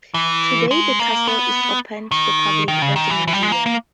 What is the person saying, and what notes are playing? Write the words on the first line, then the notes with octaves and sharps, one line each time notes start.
Today the castle is open to the public as a museum.
E3
G#3
A#3
B3
D#3
D#3
C#3
D#3
E3
E3
G3
G#3
A#3
A#3